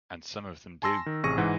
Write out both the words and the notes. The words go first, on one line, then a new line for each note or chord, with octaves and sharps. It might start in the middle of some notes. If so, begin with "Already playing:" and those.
And some of them do.
G#5 A5 C6 E6 A#6
D#3
A1 C3 G#4 C#6 A#6 D#7
G#2 E3 F#5